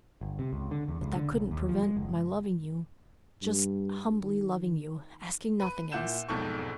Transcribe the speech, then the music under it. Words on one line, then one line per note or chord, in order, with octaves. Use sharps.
But that couldn't prevent my loving you--just humbly loving you, asking nothing else.
G1
C3
C#2
D3
E2
C#2
D3
B1
D#2
F3
G#3
F#1
G2
D#3
B4 D#7
A#2 E4 F#5 G6 E7
E1 B1 F2 G#2 A4 C#6